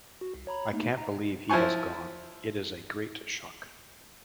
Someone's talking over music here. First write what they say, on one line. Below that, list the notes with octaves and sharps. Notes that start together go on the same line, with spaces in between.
I can't believe he has gone - it is a great shock.
F#4
C2
C#5 A#5 B5
A3 A#3 D#4
A#5
F3 E4 C5 G#5 C#6